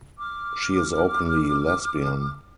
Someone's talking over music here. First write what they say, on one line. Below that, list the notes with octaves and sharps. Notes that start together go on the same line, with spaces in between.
She is openly lesbian.
D6 F6